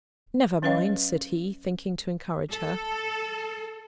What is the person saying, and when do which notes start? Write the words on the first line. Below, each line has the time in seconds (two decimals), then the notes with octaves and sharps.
'Never mind!' said he, thinking to encourage her.
0.62 F#3 C#4 B4 C#5 D#5 F5
2.52 A4